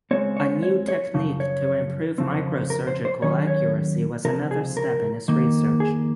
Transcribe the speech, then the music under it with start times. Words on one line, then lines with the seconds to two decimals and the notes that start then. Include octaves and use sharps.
A new technique to improve microsurgical accuracy was another step in his research.
0.11 C#2 C#3 G#3 C4 C#5
0.37 C#5
0.63 C#5
0.88 C#5
1.14 F#2 C#3 F3
1.40 C#5
2.18 F2 C#3 F3 C4
2.70 A#4
2.87 C5
3.05 C5
3.22 D#2 D#3 F#3 C#4 C#5
3.47 C#5
4.25 C#2 C3 F3 C4 A#4
4.51 G#4
4.77 A#4
5.28 F2 D#3 A#3
5.80 G#4